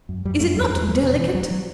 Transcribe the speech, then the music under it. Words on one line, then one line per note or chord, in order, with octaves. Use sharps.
Is it not delicate?
F#2
F#2 G3
F#2 A3
E2 G3
E2
E2 A3
B2
G2 E3
G2 F#3
F#3